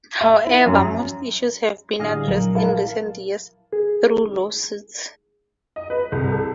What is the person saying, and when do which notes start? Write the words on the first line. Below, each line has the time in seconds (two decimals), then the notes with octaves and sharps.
However, most issues have been addressed in recent years through lawsuits.
0.21 E5
0.47 E4
0.66 F#2
2.00 A2 D3 G3 G#4 D#5 F5
2.28 A#1 F#3 A#4
2.55 E4 A#4 F5 A5
3.72 G#4
5.76 D#5
5.90 B4
6.12 C2
6.31 A4